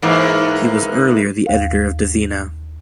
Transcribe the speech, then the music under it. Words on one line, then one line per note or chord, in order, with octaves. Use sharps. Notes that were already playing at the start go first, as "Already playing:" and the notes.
He was earlier the editor of Divina.
G#2 E3 A#3
D#2 F5